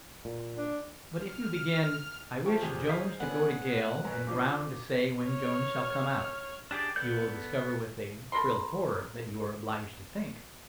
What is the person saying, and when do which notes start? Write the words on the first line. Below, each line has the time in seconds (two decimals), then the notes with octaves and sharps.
But if you begin "I wish Jones to go to gaol and Brown to say when Jones shall come out," you will discover, with a thrill of horror, that you are obliged to think.
0.25 A#2
0.58 D4
1.08 F6
2.46 A3 F4 C5 G5 A5 C#6
2.62 F1 E2 G4 G#4
2.89 D#4 F5 B6
3.20 B3 C#4 D4 G#4 F#5 G#5 F#6
4.05 F#2 B4 A#5
4.27 C#3 F3 D4 D6
5.26 C#5 F6
6.71 D4 G4 G#4 D5
6.96 B3 A4 D5 G6
8.32 A4 A#4 B5 C6